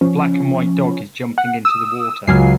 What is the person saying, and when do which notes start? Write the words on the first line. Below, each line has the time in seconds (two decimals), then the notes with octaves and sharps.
A black and white dog is jumping into the water.
0.01 F3 C#4
1.38 F#5
1.65 D#6 E6
2.28 C#2 F#3 F4 F5 G#5 C7